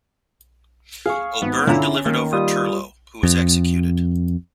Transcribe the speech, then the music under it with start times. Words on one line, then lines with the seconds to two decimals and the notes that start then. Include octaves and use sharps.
O'Byrne delivered over Turlough, who was executed.
1.06 G#4 F5 C#6
1.42 G#1 B3
1.67 D3 C#4 E4 F4 A#5
2.06 D#3 A#3
2.33 G3 F4 D#6
3.23 F2